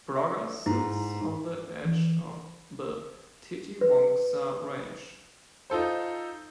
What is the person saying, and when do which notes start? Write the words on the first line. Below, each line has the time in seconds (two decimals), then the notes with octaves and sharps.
Broga sits on the edge of the Titiwangsa Range.
0.16 E5
0.66 G#2 E4
1.85 E3
3.81 B4
5.70 D#4 F4 A4 C5